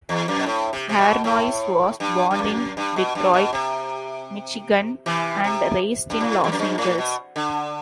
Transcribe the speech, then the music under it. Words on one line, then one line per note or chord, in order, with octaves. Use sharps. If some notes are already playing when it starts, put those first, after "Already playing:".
Harnois was born in Detroit, Michigan, and raised in Los Angeles.
E2
F#2
B2
A2
C3
C3
B2
A2
G2
G2
F#2
G2
B2
G2
B2
C3
C3 E3
C3
G2
A2
E2
F#2
G2
A2
B2
D3